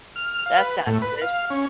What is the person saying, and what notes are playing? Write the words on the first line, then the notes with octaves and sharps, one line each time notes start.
That's not good.
F6
F5
B4
A2
B4
F5
C#4